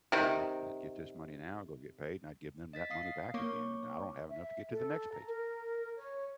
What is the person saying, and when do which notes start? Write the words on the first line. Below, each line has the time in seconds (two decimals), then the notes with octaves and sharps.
You know? I'd get this money now, go get paid, and I'd give them that money back again, and now I don't have enough to get to the next paych check,
0.12 C3 D#3
2.73 D#5 A6 B6
2.90 F5 D#6 C7
3.34 A#3 C#5 C#6 D6
4.30 E5
4.71 A4
5.11 A#5
5.27 A#4
5.97 C#5